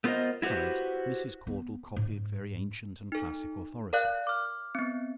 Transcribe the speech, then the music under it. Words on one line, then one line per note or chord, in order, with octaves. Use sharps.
Besides, Mrs. Caudle copied very ancient and classic authority.
A3 B3 F4 A#4 C5 D#5
E4 F#4 G4 B4 C5
B3
G#2
D#4 A4
A#4 D5 F5 F#6
D6 F6
B3 C4